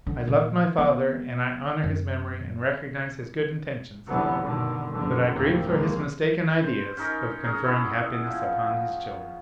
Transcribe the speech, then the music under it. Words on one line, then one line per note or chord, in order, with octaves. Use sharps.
I loved my father, and I honor his memory and recognize his good intentions; but I grieve for his mistaken ideas of conferring happiness upon his children.
D3
A#2
B3
F#2
F1 C2 D3 E3 F#3 B3
G2 B2 D3 D#3
F#1 D3
D#2 A2 C3 A#3 C4
C2 F2 G#3 A#3
C5
C#4 D#4 A#4
C#4 G#4 A#5
B3 E4
F3